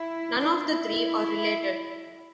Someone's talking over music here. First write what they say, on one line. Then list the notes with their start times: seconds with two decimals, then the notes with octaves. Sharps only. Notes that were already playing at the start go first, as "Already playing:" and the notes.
None of the three are related.
Already playing: E4
0.39 D4
0.69 E4